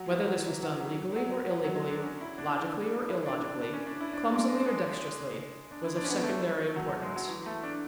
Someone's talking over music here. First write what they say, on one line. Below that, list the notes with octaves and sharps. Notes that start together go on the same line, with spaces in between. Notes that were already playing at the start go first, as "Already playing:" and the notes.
Whether this was done legally or illegally, logically or illogically, clumsily or dexterously, was of secondary importance.
Already playing: F#3
E3
F#3
E3
F#3
F#3
F#3
F#3
F#3
F#3
G#3
D4
C#4
E4
D4
D4
E4
D4
D4
D4
C#4
D4
E4
D4
G#3
G#3
G#3
D4
E4
D4
C#4
B3
A3
F#3
F#3
G#3
F#3
E3
A3
D4